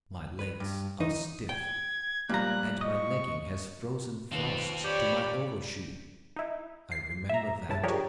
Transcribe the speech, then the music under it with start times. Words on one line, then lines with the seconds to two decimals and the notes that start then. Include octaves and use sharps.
My legs are stiff, and my legging has frozen fast to my overshoe; I remember that.
0.39 B4
0.60 G2
1.00 E3 D#4
1.49 G5 G#6
2.29 A#2 F3 G3 A#3 A#5 F#6
2.81 D#5 C#6
4.32 D#2 F3 C4 B4
4.84 G4 C#5 D5 B5
6.36 D#4 E4
6.92 C7
7.29 E5 A#5
7.69 G2 C#3 E4 A5
7.83 F3 D4 G4 G#4 A#4 C#5